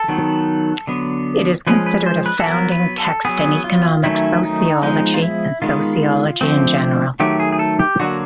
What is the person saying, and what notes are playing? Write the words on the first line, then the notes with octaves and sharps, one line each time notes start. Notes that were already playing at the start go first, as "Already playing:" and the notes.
It is considered a founding text in economic sociology and sociology in general.
Already playing: A4
D#3 F#3 B3
D3 F#3 B3
F3 G#3 C#4 B4
B4
C5
B4
A4
F#3 B3 A#4
B4
A4
F#3 B3 G#4
F4
D#3 F#3 A3 C#4 E4
D#4
F3 G#3 B3 D#4
F4
E4
D#3 G#3 B3 F4
D3 F3 A3 C4
D#3 F#3 A3 G4
G#4
G#4
A4
G4
D3 F#3 A#3 F#4